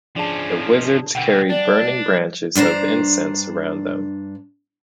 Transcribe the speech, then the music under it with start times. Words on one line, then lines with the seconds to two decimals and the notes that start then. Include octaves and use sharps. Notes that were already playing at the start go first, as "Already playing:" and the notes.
The wizards carried burning branches of incense around them.
0.16 F3 C#4 D4 G#4 A5
1.15 B2 D3 F#5 G5
1.49 D4 D5
2.55 G2 D4 C5 A#5